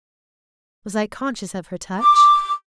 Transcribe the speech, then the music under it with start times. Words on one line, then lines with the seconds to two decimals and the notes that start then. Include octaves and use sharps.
Was I conscious of her touch?
1.99 D6